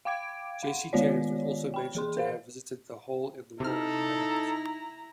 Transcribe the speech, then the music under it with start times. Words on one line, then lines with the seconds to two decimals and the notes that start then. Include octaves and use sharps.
Jesse James was also mentioned to have visited the Hole-in-the-Wall hideout.
0.05 F5 G5 D6 G#6 D7
0.63 F5 F#5
0.93 D#3 G#3 B3 F4 C#5 D5
1.74 G5 B5
1.95 E3 G#4 C6
2.17 A#4 C5 F5
3.60 C3 D#4 E4 A4 A#5 F6